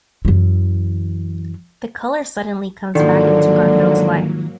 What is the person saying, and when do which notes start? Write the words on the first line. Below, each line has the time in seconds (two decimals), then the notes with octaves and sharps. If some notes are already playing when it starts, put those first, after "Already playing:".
The color suddenly comes back into Garfield's life.
0.25 F#2 E3
2.95 G#2 D3 D#3 F3 F#3 A#3